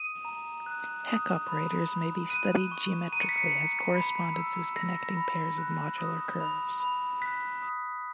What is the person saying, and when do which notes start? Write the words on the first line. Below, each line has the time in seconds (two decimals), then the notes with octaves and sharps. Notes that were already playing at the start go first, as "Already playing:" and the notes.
Hecke operators may be studied geometrically, as correspondences connecting pairs of modular curves.
Already playing: D#6 D#7
0.25 A#5
0.66 F#6
1.07 D#6
1.48 B5
1.89 B5
2.30 F#6 D#7
2.72 C#6
3.12 A#5 D#7
3.20 C#7
3.29 B6
3.37 C#7
3.53 A#5
3.94 B5
4.34 E6
4.76 E6 A#6
5.17 B5
5.58 F#6
5.98 D#6
6.40 B5
6.80 B5
7.22 F#6 B6
7.62 D#6